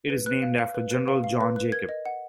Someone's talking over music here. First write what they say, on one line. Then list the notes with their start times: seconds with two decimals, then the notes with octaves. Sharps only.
It is named after General John Jacob.
0.10 B4
0.26 B4 F#6
0.42 F5
0.58 F5
0.74 B4
0.91 B4
1.08 F5
1.24 F5
1.41 B4
1.56 B4
1.72 A#4 G#6
1.89 D#5
2.06 F#5